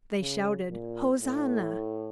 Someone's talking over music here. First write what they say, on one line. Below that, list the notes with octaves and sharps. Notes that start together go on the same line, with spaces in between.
They shouted, "Hosanna!"
C#3
A#2
A2